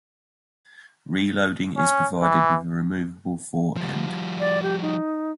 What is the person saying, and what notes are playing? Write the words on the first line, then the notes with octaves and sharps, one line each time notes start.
Reloading is provided with a removable fore-end.
C#4
E3
F3 G3
D5
G4
D#4